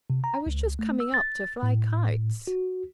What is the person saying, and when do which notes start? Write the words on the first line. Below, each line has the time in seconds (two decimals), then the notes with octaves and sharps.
"I was just coming up to fly kites."
0.10 C3
0.24 A#5
0.46 C#2
0.79 A3
1.00 E6
1.14 A6
1.63 A2
2.47 F#4